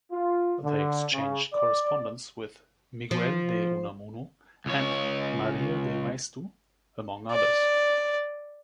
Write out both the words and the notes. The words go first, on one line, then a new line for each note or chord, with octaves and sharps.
They exchanged correspondence with Miguel de Unamuno and María de Maeztu, among others.
F4
D3
C#3
D5
F3
C#2 C#5
D5